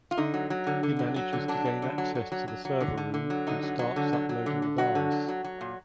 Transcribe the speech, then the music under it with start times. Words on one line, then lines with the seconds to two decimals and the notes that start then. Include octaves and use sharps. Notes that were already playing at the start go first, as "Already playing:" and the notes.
He manages to gain access to the server room and starts uploading the virus.
0.11 F4
0.17 D3 D#4
0.34 F#3
0.50 F#3
0.67 D3
0.83 D3
0.99 F#3
1.16 F#3
1.33 D3
1.48 F#3 D4
1.65 F#3
1.82 D3
1.98 F#3
2.15 F#3
2.32 F#3
2.48 F#3
2.65 F#3
2.80 D3
2.97 D3
3.14 D3
3.30 F#3
3.47 D3 D#4
3.63 F#3
3.79 F#3
3.96 D3
4.13 F#3
4.29 F#3
4.46 D3
4.62 D3
4.78 F#3 F#4
4.95 D3
5.12 F#3
5.28 F#3
5.44 F#3
5.61 A#2